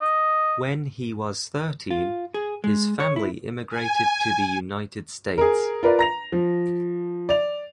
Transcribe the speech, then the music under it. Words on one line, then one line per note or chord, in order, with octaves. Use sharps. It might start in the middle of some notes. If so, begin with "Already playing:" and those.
When he was thirteen, his family immigrated to the United States.
D#5
F4
G#4
G#3
C#5
E4
G#5
G#4 A#4
F4 A#4 B4 D5
A#5 A#6 F7
F3
D5 F7